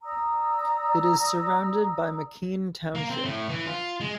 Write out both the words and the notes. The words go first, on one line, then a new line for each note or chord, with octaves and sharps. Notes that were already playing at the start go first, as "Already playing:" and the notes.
It is surrounded by McKean Township.
D5 A#5 D#6 E6
A#3
C4
A2
E3
F4
G#3